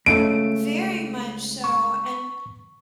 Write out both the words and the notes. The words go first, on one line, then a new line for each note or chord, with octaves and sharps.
Very much so, and
C#2 C#3 A3 D7
C#6